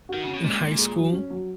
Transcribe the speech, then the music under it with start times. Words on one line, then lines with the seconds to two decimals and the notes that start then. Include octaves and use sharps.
in high school,
0.09 D#3 F#4
0.24 C#3 C#4
0.34 B2
0.44 A#2 G#3
0.61 G#3
0.79 G#4
0.96 F#3
1.13 C#4
1.30 F#3